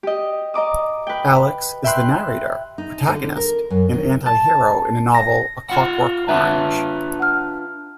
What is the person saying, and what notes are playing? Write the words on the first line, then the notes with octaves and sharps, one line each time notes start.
Alex is the narrator, protagonist and antihero in the novel "A Clockwork Orange".
G4 D#5
D#5 A#5 D6 D#6
B4 G5
E5 G5 B5 C6 F#6
D#4
D3
A#4
F#2
D#3
A5
A#6
F4 F#5
D4 F4 B4 E5
F#5 F6